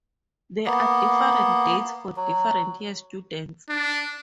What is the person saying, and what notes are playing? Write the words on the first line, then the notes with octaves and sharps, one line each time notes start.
There are different dates for different year students.
A#3 B3
F#3
D4